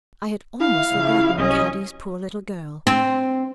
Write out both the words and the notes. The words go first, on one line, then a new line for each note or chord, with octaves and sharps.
I had almost forgotten Caddy's poor little girl.
E4 F5
C#3 F3
C2 F#3 C#4 D#5
C4